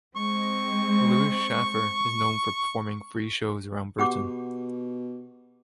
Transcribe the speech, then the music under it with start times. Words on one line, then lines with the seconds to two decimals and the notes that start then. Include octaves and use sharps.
Lewis Schaffer is known for performing free shows around Britain.
0.16 G#3 C4 C#6
3.98 B2 G4 F#5 D6